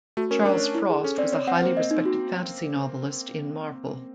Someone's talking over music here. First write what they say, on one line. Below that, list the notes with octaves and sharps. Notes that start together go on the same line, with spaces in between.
Charles Frost was a highly respected fantasy novelist in Marple.
A3 F#4
C#4 A#4
D4 A#4
C#5
E4
G#4
C#4 A4
C4 D5
C4 C#5
C4 F#5
A#3 C5
D#5
D#4
F#4